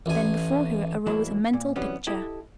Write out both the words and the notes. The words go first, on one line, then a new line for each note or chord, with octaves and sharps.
Then before her arose a mental picture.
A1 G#5
A2 E3 F#3 G#3 A#3 E4
A#2
C3 E3 F#3 G3 B3 C#4
E4 G4 A4 D#5